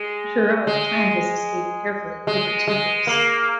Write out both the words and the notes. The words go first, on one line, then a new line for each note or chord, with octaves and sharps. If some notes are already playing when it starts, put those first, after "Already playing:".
Giraud planned his escape carefully over two years.
Already playing: G#3
G#3
G#3
G#3
A#3